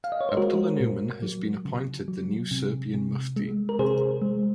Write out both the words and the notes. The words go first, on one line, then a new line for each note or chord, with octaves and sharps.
Abdullah Numan has been appointed the new Serbian mufti.
F5
D#5
C#5
C5
G#3 F#4 A#4
A#2
F#3
C#3
F#3
C3
C3
G#3
A#4
C3 G#4 C5
G#3